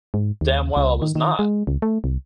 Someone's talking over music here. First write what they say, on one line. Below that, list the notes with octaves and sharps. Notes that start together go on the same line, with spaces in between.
damn well I was not.
G#2
D#2
C#2
D#3
D#3
G#3
C#2
A3
C2